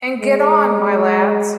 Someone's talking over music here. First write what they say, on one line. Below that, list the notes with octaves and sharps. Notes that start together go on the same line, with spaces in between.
And get on, my lads!
G#3